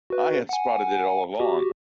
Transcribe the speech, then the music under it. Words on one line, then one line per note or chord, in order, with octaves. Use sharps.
I had spotted it all along.
F#4 B4
F#5 G#5
F#4 G4